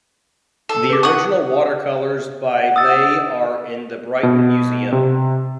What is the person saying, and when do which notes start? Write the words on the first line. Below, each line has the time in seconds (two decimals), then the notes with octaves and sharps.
The original watercolours by Lay are in the Brighton Museum.
0.69 A4
0.89 B4 D6
1.03 F#5 C#6 D#6
2.54 F#5
2.76 D#6 E6 A6
4.23 B2
4.92 C3